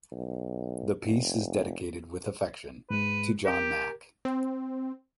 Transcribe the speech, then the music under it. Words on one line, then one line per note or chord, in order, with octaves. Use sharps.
The piece is dedicated "with affection" to John Mack.
B1
F1
G#2 G#3 B4
G4 A#4
C4